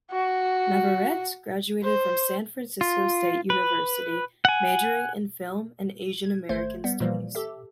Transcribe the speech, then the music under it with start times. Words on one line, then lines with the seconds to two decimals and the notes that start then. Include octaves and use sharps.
Navarrete graduated from San Francisco State University, majoring in film and Asian American studies.
0.11 F#4
1.83 C5
2.81 F4
3.50 B4
4.45 F#5 G#5
6.24 G#6
6.49 G#1 A3 C5 C6 G#6
6.84 G3 B3
7.00 A#2 E3 F3 G3 A#3
7.35 G4 A4 E5